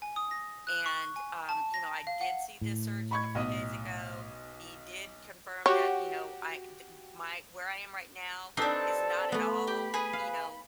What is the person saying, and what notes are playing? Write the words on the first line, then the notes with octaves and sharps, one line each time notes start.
And, um, you know, "I did see this surgeon a few days ago. He did confirm that, you know, I d my where I am right now is not at all, you know,
G#5
D#6
A#6
F#6
C#6
G#5
A5
A#6
F5
F#5
A2
B5 C#6 G#6
B1 D#5
F#4 G4 C#5
C4 D4 D#4 G4 A4 B4
A3 B3 B5
G4
G#4 B4
F5